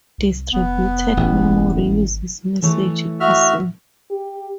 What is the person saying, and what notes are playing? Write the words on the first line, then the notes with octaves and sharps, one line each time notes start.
Distributed memory uses message passing.
C2
F1 B3
A1
G#1
E3 A3 C#5
F#4 E5 F6
G4